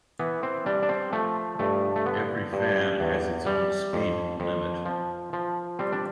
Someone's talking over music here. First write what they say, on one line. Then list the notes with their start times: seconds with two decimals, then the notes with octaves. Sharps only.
Every fan has its own speed limit.
0.19 E3 B3
0.43 C4
0.66 G3 D4
0.83 D4
0.89 C4
1.12 F3 A3
1.59 G2 A3
1.96 A3
2.06 D3 B3
2.53 G2
3.00 E2
3.46 G3
3.93 F2
4.40 F2
4.86 F3
5.33 F3
5.79 G3 C4
5.93 D4